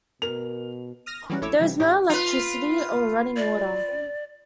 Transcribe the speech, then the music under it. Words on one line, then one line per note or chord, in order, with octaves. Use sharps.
There is no electricity or running water.
B2 A#4 F7
D#6 F6 A#6
E3 F#3 G3 C#4 F#4
A#1 A3 E4 C#5 D6 E6
C3 E3 F3 G3
A2 C#4 D#4 G4
F4 B4
D5